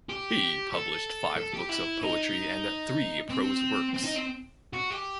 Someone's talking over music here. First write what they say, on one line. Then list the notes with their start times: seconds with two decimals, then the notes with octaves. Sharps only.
He published five books of poetry and three prose works.
0.09 G4
0.73 A4
1.37 A4
1.54 G4
1.69 E4
2.02 D#4
3.30 C4
3.94 C4
4.04 D#4
4.16 C4
4.73 F#4
4.91 G4